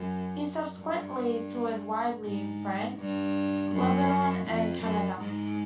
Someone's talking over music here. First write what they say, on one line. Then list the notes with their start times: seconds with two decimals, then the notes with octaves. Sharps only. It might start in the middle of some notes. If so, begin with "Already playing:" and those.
He subsequently toured widely in France, Lebanon and Canada.
Already playing: F#2
0.79 G2
2.25 G#2
2.98 G2
3.72 F#2
4.46 F2
4.82 F#2
5.19 G#2